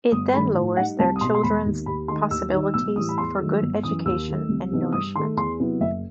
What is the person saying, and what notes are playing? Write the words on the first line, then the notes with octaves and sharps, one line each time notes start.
It then lowers their children's possibilities for good education and nourishment.
G1 D#6
G2 D#3 A3 B5
A2
G3 D#4 F#5
C2 A5
D#6
B2 G3 C6
C6
E1 B5
D#2 D#3
D#2 B5
D#3 A3 D#4 C6
D#2 E6
D#3 G3 D#4
B1 E6
A2 E3 G3 D#6
B5
E2 C6
D#3 F#3 A3
G1
F#2 E3 D#6
D#2 E6
D#3 A3
C2
C3 E3 B3 D#4
G2 D#6
D#3 A3 C6
E2 C6
C3 F#3 B3 E4
F#1 E5